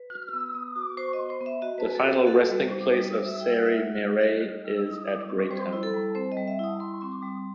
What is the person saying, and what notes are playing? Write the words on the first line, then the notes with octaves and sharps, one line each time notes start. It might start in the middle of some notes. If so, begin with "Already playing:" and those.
The final resting place of Sarie Marais is at Greytown.
Already playing: B4
F#4
B3
B3
F#4
F#4 C5
D#5
B3
C5
B3
E5
F#4 D#5
B4
F#4
A4
B3
G4
F#4 A4
G3
C5
D#4
G3 B4
C5
F#4
E5
G3 G5
D#4 F#5
E5
G3 F#5
F#4
G3 D#5
D#4
G3
E4
G3
C4
G3 C5
E4
A4
G3
C4 C5
D#5
G3
E5
E4 D#6
G3 C6
C4
G3